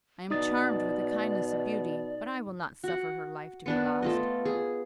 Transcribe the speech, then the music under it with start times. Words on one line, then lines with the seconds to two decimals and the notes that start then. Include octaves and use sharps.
I am charmed with the kindness of Beauty, but I will not suffer her life to be lost.
0.31 B2 D#4 D5 D#6 A6
2.84 F#4 F#5
3.66 B3 D4 B4
4.02 A3 F4 D#5
4.45 G#4